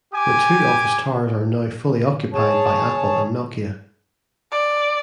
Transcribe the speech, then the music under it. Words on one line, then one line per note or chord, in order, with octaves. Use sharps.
The two office towers are now fully occupied by Apple and Nokia.
G4 G#5 D6
G#4 C#5 A5
D5